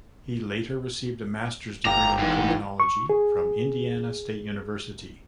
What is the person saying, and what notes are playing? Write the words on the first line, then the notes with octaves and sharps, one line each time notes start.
He later received a master's degree in criminology from Indiana State University.
G1 F5 G5 A#5 D6
G#2 E3
C#6
G#4